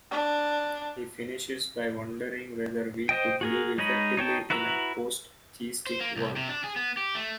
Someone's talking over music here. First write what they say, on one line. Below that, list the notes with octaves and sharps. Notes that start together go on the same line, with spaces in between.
He finishes by wondering whether we could live effectively in a post-theistic world.
D4
C5 D#5 G5
F#4 G#4 A#4
G#3 D#4 C#5 D#5 B5
D#4 C#5 G5 A5
E4 F#4 B4 A#5 E6
C5
A#3
C2
C3
D4
G#4
B3
G4
A3